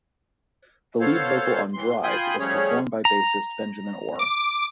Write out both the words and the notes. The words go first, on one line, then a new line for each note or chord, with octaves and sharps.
The lead vocal on "Drive" was performed by bassist Benjamin Orr.
B3 A4 C5 C#5 F5
A2 E3 C6
F4 G5 G#5 B5 C6 D#6
F3 G3 A3 C#4 G#4 C#5
A#5
D6